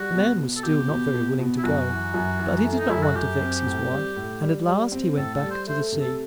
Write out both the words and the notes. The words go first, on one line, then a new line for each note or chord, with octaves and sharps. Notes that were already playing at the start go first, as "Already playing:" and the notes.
The man was still not very willing to go, but he did not want to vex his wife, and at last he went back to the sea.
Already playing: G3 F#4
B2
B2
A4
B2 G4
B2
B2
B2
E4
F#2 F#4
E3
F#2
E3
A3
D#4
F#2 E4
F#4
F#2 G4
C4
A2
G3
A2
G3
G3
C4
A2 A4
A4
G3
C5
A3 C5
C3
A4